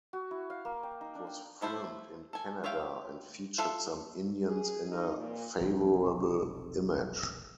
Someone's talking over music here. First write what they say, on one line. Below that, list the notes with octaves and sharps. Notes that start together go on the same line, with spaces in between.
It was filmed in Canada and featured some Indians in a favorable image.
F#4
E4
F5
A#3
G5
D#4
D4
G5
F3 A3 E4 C5
A4 G#5
F4 C#5 E5 F5 G5
F4 A4 E5
G#4
D#4
A#2
F1 B1 C#3 F3 C4 D#4 A4